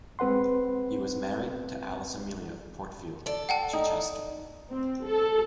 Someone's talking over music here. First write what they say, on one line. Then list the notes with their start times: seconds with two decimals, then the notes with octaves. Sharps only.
He was married, to Alice Amelia of Portfield, Chichester.
0.19 G#3 C4 B4 F#5 C6
3.26 A4 D5
3.49 F#5 G5 A5
3.73 D#4
4.70 C4
5.06 A4